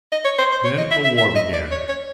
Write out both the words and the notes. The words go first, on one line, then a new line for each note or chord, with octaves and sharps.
Then a war began.
D#5
C#5
C5
C5
C#5
D#5
E5
E5
E5
D#5
D5
C#5
C#5